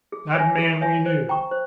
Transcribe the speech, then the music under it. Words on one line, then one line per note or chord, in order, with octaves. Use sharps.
That man we knew.
G#4
C#5 E5 G#5
G#4
C#5 E5 G#5
C5
G5 A#5 C#6
C5